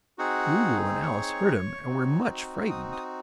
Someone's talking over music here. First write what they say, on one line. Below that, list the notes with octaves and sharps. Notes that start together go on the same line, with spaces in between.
Lulu and Alice heard him, and were much frightened.
C4 D#4 F#4 G#4 F#5
C#5 C#6
C4 D#4 F#4
D#6
D#6